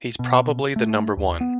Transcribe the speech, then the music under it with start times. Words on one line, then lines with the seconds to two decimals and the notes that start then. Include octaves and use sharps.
He's probably the number one.
0.19 B2
0.76 A3
1.17 D#2
1.41 B3